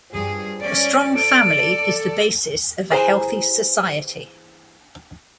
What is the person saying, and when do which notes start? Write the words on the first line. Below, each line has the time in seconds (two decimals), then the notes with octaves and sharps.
A strong family is the basis of a healthy society.
0.15 G2 G#4
0.63 C#4 D5
1.15 A4 D5 D7
2.90 E3 G#4 C5 A#5